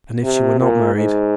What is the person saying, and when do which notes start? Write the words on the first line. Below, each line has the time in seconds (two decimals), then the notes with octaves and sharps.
"And if she were not married?"
0.24 C3
0.59 A#2
0.95 G#2